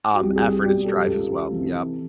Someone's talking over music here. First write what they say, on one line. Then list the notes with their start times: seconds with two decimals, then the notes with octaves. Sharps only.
um, effort and strife as well. Yep.
0.14 F#4
0.21 C2 G4
0.36 G#4
0.42 G4
0.64 B2 G3 G4
0.85 G4 A4
1.07 C#2
1.50 C3 E3